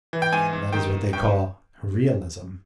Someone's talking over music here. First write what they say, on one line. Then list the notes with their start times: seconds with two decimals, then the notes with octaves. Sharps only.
That is what they call realism.
0.13 E3
0.22 G5
0.33 G#2 G#5
0.53 G#2
0.73 D#3 G5
0.93 D#3
1.13 G2 G5